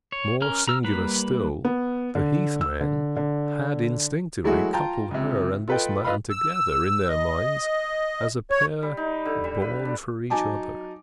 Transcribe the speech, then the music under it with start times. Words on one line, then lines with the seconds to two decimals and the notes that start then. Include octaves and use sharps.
More singular still, the heathmen had instinctively coupled her and this man together in their minds as a pair born for each other.
0.12 C#5
0.42 C#4 A#4 A#5 F6
0.68 A#5 E6 F6
0.84 G3 A#3 B4 A#5 B5
1.65 B3
2.15 D3
2.61 E6
2.81 D3
3.17 D3
4.44 E3 F#3 G#3 A3 E4 F#4
4.73 F4 G5 A5 A#5
5.11 C#2 C3
5.68 F4 A4 B4 D#5 G5
6.04 F4 B4 D#5 F5 B5
6.30 E6
7.08 D#5
8.51 C#5
8.83 G3
8.97 D#4
9.25 D3
9.44 G3
9.62 B4
9.85 D4
10.30 F#3 D#4 G#5 A5 D6